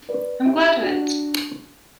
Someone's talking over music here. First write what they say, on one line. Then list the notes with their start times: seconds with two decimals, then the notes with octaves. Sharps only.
I'm glad of it!
0.09 B4 D5
0.45 E4 G4
0.82 D4 F#4